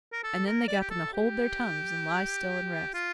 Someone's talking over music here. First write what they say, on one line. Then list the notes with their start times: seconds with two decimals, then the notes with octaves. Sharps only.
And then they got them to hold their tongues and lie still and rest.
0.12 A#4
0.24 A4
0.46 A#4
0.68 D5
0.81 G4
0.90 A4
1.13 G4
2.94 F4